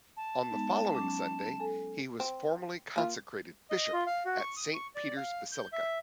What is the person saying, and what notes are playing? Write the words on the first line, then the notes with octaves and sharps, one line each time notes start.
On the following Sunday, he was formally consecrated bishop at Saint Peter's Basilica.
A5
G#3 B3 D#4
F#3 C#4 D6
A4 G#5
C4
A#3 F4
D#5
F4
F5
F#4
C#6
D#6
C#6
D5
F5
G6
E5